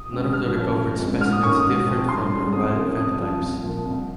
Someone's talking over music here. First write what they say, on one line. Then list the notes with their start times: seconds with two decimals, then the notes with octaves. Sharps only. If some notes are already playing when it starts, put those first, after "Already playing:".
None of the recovered specimens differed from their wild phenotypes.
Already playing: D#6
0.12 C#3 G#3 C4
0.33 G2 F6
0.56 F3 A#3 C#4
0.77 G1
0.99 F2 C#3 G#3
1.21 G#2 F6
1.33 D#6
1.43 D#3 A#3 C#4 C#6
1.55 D#6
1.65 G#2
1.87 F3 C4
2.09 G2 C6
2.31 G3 C#4
2.53 C2 D#6
2.75 C3 F3 A#3 C#4
2.96 F2 D#6
3.18 C#3 F3
3.40 C2
3.63 A#2 F3 A#3
3.85 C2